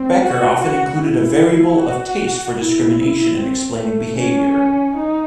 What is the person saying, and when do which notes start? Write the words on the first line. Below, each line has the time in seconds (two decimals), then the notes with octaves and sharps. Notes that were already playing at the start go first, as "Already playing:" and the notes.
Becker often included a variable of taste for discrimination in explaining behavior.
Already playing: C4
0.22 F#4
0.62 F#4
1.01 E4
1.80 F#4
2.59 E4
3.38 C4
3.77 A3
4.17 C#4
4.96 D#4